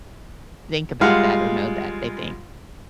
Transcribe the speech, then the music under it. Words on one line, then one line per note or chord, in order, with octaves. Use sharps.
think about that or know that. They think,
G3 G#3 F4 F5 F#5